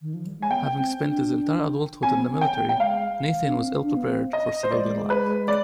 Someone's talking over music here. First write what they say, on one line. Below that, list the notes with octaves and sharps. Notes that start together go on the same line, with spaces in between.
Having spent his entire adulthood in the military, Nathan was ill-prepared for civilian life.
D#3
F3
G3
G#3 G#5
B3 G5
C4
D4
C4 G#5
B3
C4
G5
B3
G5
B3
G#3 F5
D4
C4
D4
B3
C4
D#5
C5
G#3 D5
B4
D5